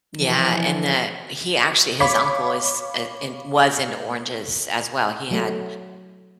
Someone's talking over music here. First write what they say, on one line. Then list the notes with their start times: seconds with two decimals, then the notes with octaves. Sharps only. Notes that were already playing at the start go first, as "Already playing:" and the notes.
Yeah, and that he actually his uncle is i in was into oranges as well. He had
0.18 E3 F3
2.00 C#5 F5 B5 D6 B6
5.31 F#3 A3